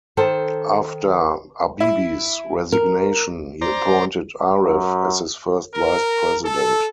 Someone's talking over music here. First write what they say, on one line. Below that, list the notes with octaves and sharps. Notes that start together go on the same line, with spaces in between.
After Habibi's resignation, he appointed Aref as his First Vice President.
D#3 A4 C5 A5
E4
A#4
C5 D5 A#5
F#2
A#4
A4